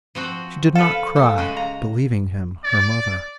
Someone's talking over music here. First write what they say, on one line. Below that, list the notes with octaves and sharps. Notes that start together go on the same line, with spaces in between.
She did not cry, believing him her mother.
F3 C4 F#4
A4 B4 F5
A3
C#3 G#3 F#4
A#5
D5